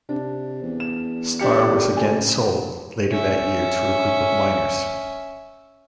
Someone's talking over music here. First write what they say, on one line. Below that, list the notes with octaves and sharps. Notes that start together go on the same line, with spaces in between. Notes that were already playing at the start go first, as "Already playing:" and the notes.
Star was again sold later that year to a group of miners.
C3 D4
E2
E7
D4 G4 C#7
C#2 A3 G#5
C#4 E5